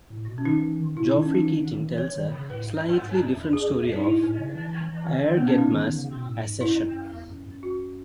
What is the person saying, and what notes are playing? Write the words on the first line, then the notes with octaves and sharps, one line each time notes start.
Geoffrey Keating tells a slightly different story of Airgetmar's accession.
A2
B2
C#4
D#3 D#4
E3
D#3
B2 E4
D#3 D#4
C#4
E3 D#4
D#3
D#3
D#3
E3
C#5
D#3
C#3
A2 B4
G#2
G#2
F#2
E2
F#2 G#4
E2
F#2
D#4
G#2 E4
A2
C#3
E3
E3
D#3
D#3
B2 B3
C#4
D#4
D#3
D#3
C#3
B2
A2
G#2
F#2 E4
F#2
E2
F#2
F#2
F#4